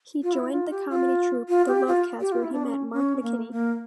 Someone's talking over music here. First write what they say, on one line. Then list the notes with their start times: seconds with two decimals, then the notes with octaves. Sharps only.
He joined the comedy troupe "The Love Cats", where he met Mark McKinney.
0.23 F4
0.33 E4
0.52 F4
0.71 G4
0.90 F4
1.49 F4
1.68 G4
1.88 F4
2.20 G4
2.32 F4
2.43 E4
2.53 D4
2.64 C#4
2.93 C#4
3.22 A#3
3.51 A#3